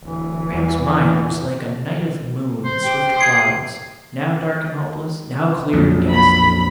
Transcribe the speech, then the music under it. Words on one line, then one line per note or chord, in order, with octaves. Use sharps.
Graham's mind was like a night of moon and swift clouds, now dark and hopeless, now clear and ghastly.
D1 E3
E2
C5
G4 G5
G#4 C7
A#1 F2 F#3
B5